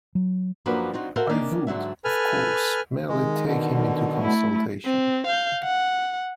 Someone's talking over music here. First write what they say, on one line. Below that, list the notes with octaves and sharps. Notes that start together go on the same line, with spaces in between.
I would, of course, merely take him into consultation.
F#3
F#2 F3 A#3 D4 F#4 B4
C4 D#4 F4 F#4
F#4 A4 A#4 C5 E5 F5
D#3 A#3 C#4 D4 D#5
G#2 D3 F#3 E5
A4 B4 G#5 F6
D#3 G#3
B2 D3
A3 E4
C4
F5 G6
F#5